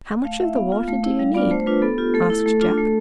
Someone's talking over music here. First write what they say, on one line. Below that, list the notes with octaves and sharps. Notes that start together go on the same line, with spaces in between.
"How much of the water do you need?" asked Jack.
A3 F5
E4 E5
B3 F5
F4
A3
E4
G3 F5
B3 D4 F4 D5
A3 C5
D4 F4 B4
B3 A4
F4 G4
A3 A4
E4
A3 A4
D4 F4
A3